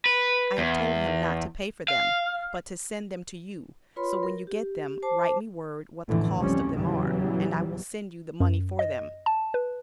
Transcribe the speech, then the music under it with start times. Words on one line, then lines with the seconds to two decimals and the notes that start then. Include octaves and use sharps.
I have told him not to pay for them but to send them to you so when you get them write me word what the cost of them are, and I will send you the money for them.
0.06 B4
0.58 E2
1.88 F5
3.96 F4 B4 C#5 B5 C6
4.23 A#4
4.47 G4
5.02 C5 A5 D6
6.08 A1 F2 A2 D3 E3 A3
6.38 D2 C#3 F3 G3 C4 C#4
6.75 E2 A#2 C#3 E3 F#3 G3
8.40 F#2
8.79 D#5
9.26 A5
9.54 B4